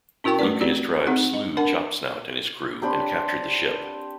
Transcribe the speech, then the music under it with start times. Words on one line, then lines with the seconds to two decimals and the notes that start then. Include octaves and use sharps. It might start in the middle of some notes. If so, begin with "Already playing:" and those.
Luke and his tribe slew Chopsnout and his crew and captured the ship.
0.24 C#4 E4 F#4 A#4 G5 C#6
0.39 A3 C#4 B4 D5
0.60 C4 F#4 G4 D5
1.07 C4 D#4 G#4 F#5
1.34 D#5
1.57 D4 A#4 F#5 A5
2.82 C4 D4 G4 B5